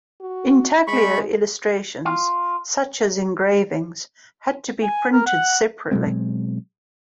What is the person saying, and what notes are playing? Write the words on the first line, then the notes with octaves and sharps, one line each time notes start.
Intaglio illustrations, such as engravings, had to be printed separately.
F#4
G#3 B5 C#6
F4
G#5
A#4
F#5
B2 F#3 G#3 C4